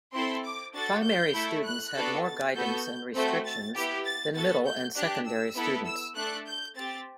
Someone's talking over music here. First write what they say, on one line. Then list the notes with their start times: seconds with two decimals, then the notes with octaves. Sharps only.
Primary students had more guidance and restrictions than middle and secondary students.
0.13 C4 E4 A4 C6
0.44 D6
0.74 D4 F#4 A4 A6
1.03 G6
1.33 A3 E4 A4
1.64 F#6
1.95 B3 D4 F#4 A4
2.24 A6
2.54 B3 F#4 A4 G6
3.14 A3 C4 F#4 A4 G6
3.44 A6
3.75 B3 E4 G4
4.05 A6
4.34 B3 F#4 A4 A6
4.65 G6
4.96 D4 G4 F#6
5.26 E6
5.55 B3 E4 A4
5.86 E6
6.15 A3 D4 A4 F#6
6.46 G6
6.75 C4 G4 A6